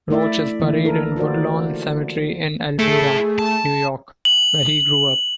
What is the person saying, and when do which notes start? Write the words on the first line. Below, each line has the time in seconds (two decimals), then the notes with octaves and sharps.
Roach is buried in Woodlawn Cemetery in Elmira, New York, where he grew up.
0.10 A3 E4 D5 E5
0.60 D3 E3 A#3
0.85 A4 A#4
1.16 F4 F#4 C5 D5
2.79 A3 E4 G#4 A4
3.39 A5
4.25 F#7